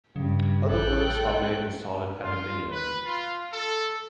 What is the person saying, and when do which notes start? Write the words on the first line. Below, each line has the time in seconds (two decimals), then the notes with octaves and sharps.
Other works are made in solid aluminum.
0.16 G2 C#3
0.71 A1 A4 G5 F#6
2.22 F4
2.71 B4
3.05 F4
3.51 A4